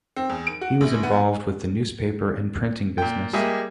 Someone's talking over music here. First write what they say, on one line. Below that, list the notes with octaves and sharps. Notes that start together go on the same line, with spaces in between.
He was involved with the newspaper and printing business.
C4
E2
D7
F#4
A#1
B3
A#2 G5
G3 G#3 A#3 G#4 E5